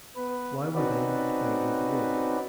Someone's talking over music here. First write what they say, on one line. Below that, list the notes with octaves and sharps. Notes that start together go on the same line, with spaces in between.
Why were they not made of wood?
B3 B4
C4 C#4 D#4 F#4 B4 D5